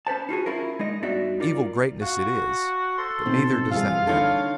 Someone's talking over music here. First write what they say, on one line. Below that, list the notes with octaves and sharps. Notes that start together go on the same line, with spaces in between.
Evil greatness it is--but neither does that matter.
C#4 B4 C5 A5
D#4 F4 F#4 G#4
C#4 E4 F4 A#4
G#3 D#4 D#5
G2 B3 D#4 F#4 D5 E5
D#4 F4 A#4 D5
F#4 F5
A4 C6
B2 D#3 C4
E3 G3 F4 G#4 F5
D3 D#3 A4 C#5